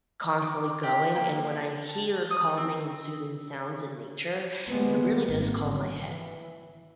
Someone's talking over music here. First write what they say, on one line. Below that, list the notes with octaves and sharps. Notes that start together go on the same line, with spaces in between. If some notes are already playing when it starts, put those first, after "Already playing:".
constantly going and when I hear calming and soothing sounds in nature, it really does calm my head.
D6
G4
A#3
A5
D#6
C4
D#3 G3 G#3 A#3 B3
G#1 A#3
F#3
E3